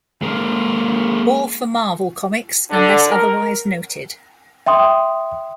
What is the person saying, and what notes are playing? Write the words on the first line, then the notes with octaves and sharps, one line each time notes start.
All for Marvel Comics unless otherwise noted.
G#3 A#3
D3
A#4
E5 G5 C6 D#6